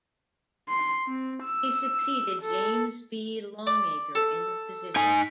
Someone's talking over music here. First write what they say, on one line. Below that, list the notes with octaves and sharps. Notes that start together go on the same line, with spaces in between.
He succeeded James B. Longacre in the position.
C6
C4
E6
A4
D5
A4
D#4 G#5